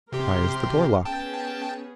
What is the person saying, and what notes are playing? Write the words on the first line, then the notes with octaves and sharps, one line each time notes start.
"Why is the door locked?"
C3 G4 A#4 C6
B3 C#4 G#4 G5 A5